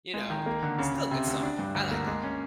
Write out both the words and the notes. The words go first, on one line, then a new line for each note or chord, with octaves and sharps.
you know, it's still a good song. I like it.
G#3
D#3
A#3
D3
C#3
C#3
C3
D2
D4
G2
D2
A#3
G#3
C#4